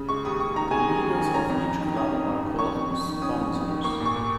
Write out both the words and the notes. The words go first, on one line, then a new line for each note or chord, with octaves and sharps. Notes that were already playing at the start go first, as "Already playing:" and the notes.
The leaders of each club are called "Sponsors".
Already playing: C#3
G#3 C#6
D#2 D#6
D#2 C#6
D#3 A#5
G#3 G#5
D#2
D#2
D#3
C#4 A#5
F2
F2
D#3
C#4 D#6
F2
F2
D#3
C#4 C#6
F2
F2
D#3
C#4 D#6
F2
F2
D#3
A#3 C#6
A#2
C#6
A#2